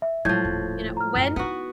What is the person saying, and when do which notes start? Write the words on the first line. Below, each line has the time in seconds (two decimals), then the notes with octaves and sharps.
you know, when
0.02 E5
0.25 A2 F3 F#3 G#3 G6 G#6
0.45 D#1
0.97 A#5 F6
1.15 F#2
1.36 B3 C#4 D#4 F#4